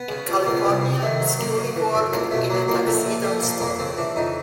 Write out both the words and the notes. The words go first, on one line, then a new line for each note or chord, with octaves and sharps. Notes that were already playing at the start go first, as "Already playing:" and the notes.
In California, Scully worked in a tuxedo store.
Already playing: B3
C#3
F3
C#2 A#3
B3
C2 C4
C3
D#3 A3
F#3
F#2 A#3
C#3
E3
F#2
C#2 A#3
B2 A3
F#3 A#3
C#2 A#3
A#1 A3
A#2
F3 A3
A#1 A#3
F2 A#3
C#3 C4
E3 D4
F2 D#4